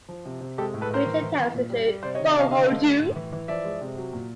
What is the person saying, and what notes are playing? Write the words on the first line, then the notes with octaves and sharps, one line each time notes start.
Major towns include: Bohodou.
F3
C3
C3
G#3 G4 A4
A2
A4 B4
A2 A#4 C5
E3
E3
E3
A#2
G3
G3
C3 C5 D5
C#5 D#5
D#3
D5 E5
C3 D#5 F5
D3 D#5 F5
A3
D3
A2
E3
E3
F3 D5 E5
G#3
C3
F#3
A#2